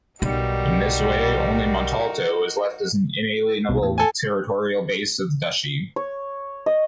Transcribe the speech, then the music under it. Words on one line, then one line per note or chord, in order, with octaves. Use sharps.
In this way, only Montalto was left as an inalienable territorial base of the duchy.
B1 G3 D#4 F#4 A#4
C2 B2
E2 A2
A4 G#5
C#5
D#5